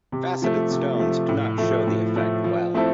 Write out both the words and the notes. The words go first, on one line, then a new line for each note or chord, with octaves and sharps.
Faceted stones do not show the effect well.
C3
F3 A3
C3
F3 A3
A2
F3 A3
A2
F3 A3
F3
A3 C4 E4 A4